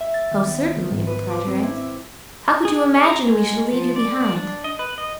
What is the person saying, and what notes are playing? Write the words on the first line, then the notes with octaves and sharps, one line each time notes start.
'Most certainly,' replied her aunt, 'how could you imagine we should leave you behind?
E5
A6
D#3
B3
B1
G#2
B4
D6
C4
E4
E5
G#4
A#5
G#3
F3
D5
D4
D#5
B4
D#5